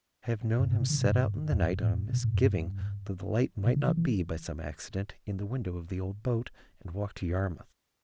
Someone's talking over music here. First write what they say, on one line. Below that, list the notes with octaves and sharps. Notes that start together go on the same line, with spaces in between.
I have known him set out in the night, on a misgiving that the light might not be, by some accident, in the window of the old boat, and walk to Yarmouth.
G2
A2
C3
D3
B2
G2
E2
F#2
F#2
A2
B2
A2
F#2
G2
C3
D3
E3
E3